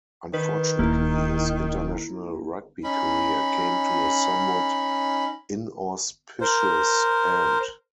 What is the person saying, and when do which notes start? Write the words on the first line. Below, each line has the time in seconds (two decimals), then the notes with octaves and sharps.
Unfortunately his International rugby career came to a somewhat inauspicious end.
0.34 D#3 B4
0.79 D#1 A#3 E4
2.84 C#4 D#4 B5
6.41 A#4 C5